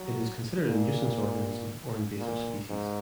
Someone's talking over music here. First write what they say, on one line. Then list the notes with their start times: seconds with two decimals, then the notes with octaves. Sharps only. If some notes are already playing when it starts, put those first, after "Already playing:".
It is considered a nuisance organism or invasive species.
Already playing: F#3
0.66 A#2
2.19 A#2
2.69 G#2